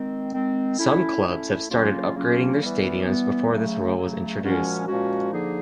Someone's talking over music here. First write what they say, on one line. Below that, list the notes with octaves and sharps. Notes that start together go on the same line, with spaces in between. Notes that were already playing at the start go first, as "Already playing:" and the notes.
Some clubs had started upgrading their stadiums before this rule was introduced.
Already playing: D#3 G#3 C4
D#3 G#3 C4
A3 C#4 E4
A3 C#4 E4
C#3 F#3 A#3 C#4 F4
C#3 F#3 A#3 C#4 F4
E3 G3 B3
E3 G3 B3
C#3 F#3 A3
C#3 F#3 A3
A#2 F3 G#3 C#4 F#4
A#2 F3 G#3 C#4 F#4
D3 F3 A#3 D#4 G#4